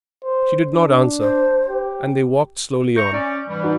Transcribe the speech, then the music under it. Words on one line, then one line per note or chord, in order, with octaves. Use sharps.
She did not answer, and they walked slowly on.
C5
D4
C5
G4
E5 A#5 C#6 G6 C#7
C#4 D5
G#2 E3 G3
D#4 F#4 B4